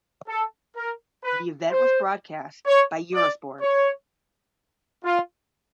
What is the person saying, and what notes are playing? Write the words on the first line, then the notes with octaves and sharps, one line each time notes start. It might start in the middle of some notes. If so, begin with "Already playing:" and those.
The event was broadcast by Eurosport.
A4
A#4
B4
C5
C#5
D5
C#5
F4